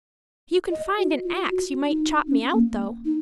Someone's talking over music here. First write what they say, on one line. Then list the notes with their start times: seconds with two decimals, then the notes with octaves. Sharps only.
If you can find an axe you might chop me out, though.
0.72 D#5
0.98 F#4
1.24 F4
1.50 F#4
1.88 D#4
2.27 C#4
2.53 A#3
3.05 D#4